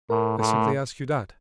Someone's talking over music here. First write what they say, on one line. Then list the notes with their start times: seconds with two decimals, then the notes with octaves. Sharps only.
I simply ask you that.
0.10 A2 A#4
0.39 A2 A3